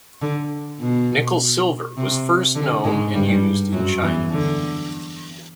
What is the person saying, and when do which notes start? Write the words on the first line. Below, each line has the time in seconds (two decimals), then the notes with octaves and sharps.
Nickel silver was first known and used in China.
0.22 D3
0.80 B2
1.97 C3
2.55 D3
2.85 G#2 G#3
3.14 G2 G3
3.72 F#2 F#3
4.02 E2 E3
4.31 D3